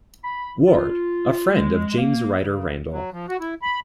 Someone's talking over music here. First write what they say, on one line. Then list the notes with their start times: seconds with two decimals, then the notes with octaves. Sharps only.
Ward, a friend of James Ryder Randall.
0.24 B5
0.67 F4
1.51 G#3
1.98 A#3
2.43 C#3
2.92 F#3
3.12 F3
3.29 F#4
3.40 E4
3.62 B5